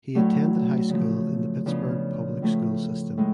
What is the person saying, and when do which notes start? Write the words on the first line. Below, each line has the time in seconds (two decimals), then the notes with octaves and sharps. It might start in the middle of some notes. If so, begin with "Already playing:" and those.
He attended high school in the Pittsburgh Public School system.
0.15 A2 F#3 A3 D4
0.90 C#3 F3 A3
1.66 C#3 F3 B3 D4 F4
2.42 A2 F3 A3 C#4
3.17 A2 G#3